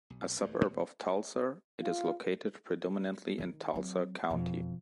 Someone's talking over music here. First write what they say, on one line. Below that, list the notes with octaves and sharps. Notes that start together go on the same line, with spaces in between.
A suburb of Tulsa, it is located predominantly in Tulsa County.
B1
D#1 E2 G#2 A3
E2 B2 A#3
F4
D#3 D#4
F#3 C4
E1 F2